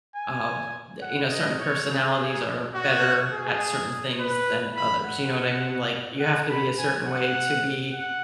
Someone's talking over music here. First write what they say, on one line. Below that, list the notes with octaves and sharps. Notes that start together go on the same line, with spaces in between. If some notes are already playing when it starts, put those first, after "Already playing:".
um, that, you know, certain personalities are better at certain things than others, you know what I mean? Like, you have to be a certain way to be,
G#5
F#5
D#5
C#5
G#4
F#4
G#4
B4
B5
F#5
F#5
B5
G#5
F#5
F#5